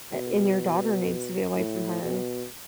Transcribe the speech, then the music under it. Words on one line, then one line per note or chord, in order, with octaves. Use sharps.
a and your daughter needs to be away from her.
B2
A2
B2